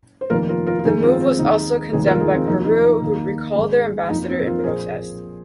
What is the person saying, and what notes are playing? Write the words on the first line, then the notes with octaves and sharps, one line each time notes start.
The move was also condemned by Peru, who recalled their ambassador in protest.
C5
F1 F2 D#3 A#3 F4 A#4
F4 A#4
F4 A#4
F4
F2 D#3 G#3 D#4 G#4
C4 F4
C4
D#2 D#3 G#3 D#4
F1 D#2 D#3 G#3 D#4 G#4
F4 A#4
D#4 G#4
C4 F4
F2 C3 F3 A#3 D#4
D#4
D#4
D#2 D#3 A#3
G#1 G#2 G#3
F2 F3 A#3 D#4
C4
F4 A#4
A#4
A#1 A#2 F3 G#4 C5